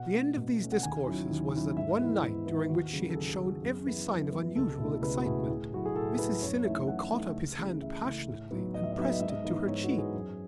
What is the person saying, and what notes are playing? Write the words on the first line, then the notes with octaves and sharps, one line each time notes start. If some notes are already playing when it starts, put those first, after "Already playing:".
The end of these discourses was that one night during which she had shown every sign of unusual excitement, Mrs. Sinico caught up his hand passionately and pressed it to her cheek.
Already playing: B2 F#5
A3 C#4
B2
A3 C#4
F#5
D#2 G#5
D#3 F#3 C#4 E4
D#2
D#3 F#3 C#4 E4
G#2 E5
E3 B3 E4
G#2
E3 B3 E4
D#2 F#4
C#3 F#3
A4
D#2 G#4
G#4
C#3 F#3 F#4
F#2 G#4
E3 B3 E4
F#2
E3 B3 E4
C#2 A4
B2 A3 E4
C#2 B4
F#4
B2 A3 E4 G#4
A2
F#3 A3 E4 F#4
G#4
A2 A4
F#3 A3 E4 B4
F#2 C#5
E3 A3 D#4 E5
F#2 F#5
E3 A3 D#4
C#2
C#3 E3 A3
C#2 E5
C#3 E3 A3
A2
F#3 B3 D#4
A2 D#5
E5
D#5
F#3 B3 D#4 E5
D#5
G#2 E5
D#5
E3 B3 D#4
G#2 C#5
F#4
E3 B3 D#4
G#4
F#2